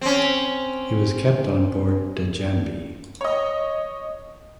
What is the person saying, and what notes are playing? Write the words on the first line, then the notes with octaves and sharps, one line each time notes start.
He was kept on board "Djambi".
C4 C#4
C#5 D#5